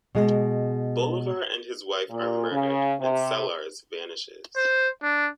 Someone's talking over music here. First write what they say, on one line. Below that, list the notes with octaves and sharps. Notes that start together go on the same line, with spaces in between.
Bolivar and his wife are murdered, and Sellars vanishes.
B2 G#3
A#2
C#3
C3
C5
D4